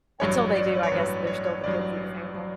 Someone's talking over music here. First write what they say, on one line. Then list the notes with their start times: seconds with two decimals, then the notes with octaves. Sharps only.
until they do, I guess they're still the kids of the family.
0.20 A1 G2 F#3 C#5
0.38 C#5
0.56 D5
0.83 C#5
0.91 A1 G2 F#3 B4
1.27 C#5
1.45 C#5
1.64 A1 G2 F#3 D5
2.35 F#3